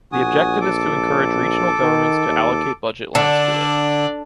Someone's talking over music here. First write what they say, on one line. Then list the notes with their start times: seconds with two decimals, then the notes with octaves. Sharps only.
The objective is to encourage regional governments to allocate budgets lines to it.
0.12 A#1 F#4 G#5 D#6
0.61 A4 D6
1.82 D#3
2.28 D#2
3.15 D3 D4 D5